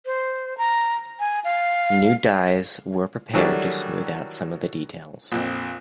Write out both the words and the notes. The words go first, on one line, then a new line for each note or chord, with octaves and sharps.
New dyes were prepared to smooth out some of the details.
C5
A#5
G#5
F5
D#3 E3 F#3 G3 A3 D4
A#1 F2